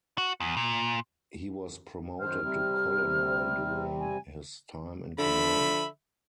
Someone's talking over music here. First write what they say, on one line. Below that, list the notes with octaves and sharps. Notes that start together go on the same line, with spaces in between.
He was promoted to colonel during his time in command.
F#4
E2
A#2
F#2 D#3 C5 F6
C3 G3 C4
G#5
D3 F3 E5 B5